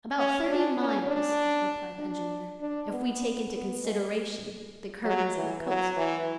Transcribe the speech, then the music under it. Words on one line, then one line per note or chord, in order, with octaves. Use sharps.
"About thirty miles," replied the engineer, "if we take into consideration the curvings of the coast."
C#4
D4
C#4
D4
D4
D4
B3
B3
G#3
F#3
E3
F#3
E3